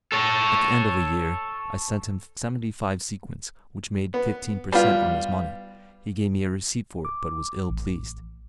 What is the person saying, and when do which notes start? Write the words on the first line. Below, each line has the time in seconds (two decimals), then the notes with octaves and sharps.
At the end of a year I sent him seventy-five sequins, which made fifteen per cent. on his money; he gave me a receipt for it, but was ill pleased.
0.12 A4 C#5
4.14 B3
4.72 G3 B3 F4
7.05 D6
7.70 A1